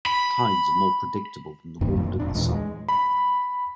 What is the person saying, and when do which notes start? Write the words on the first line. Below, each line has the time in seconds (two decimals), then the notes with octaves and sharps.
Tides are more predictable than the wind and the sun.
0.06 B5
1.81 G2 C3 D#3 A#3
1.96 F#2 A2
2.20 F#1 B1 F2 D4
2.35 D#2 A#2 E3 G#3
2.53 G#3
2.89 B5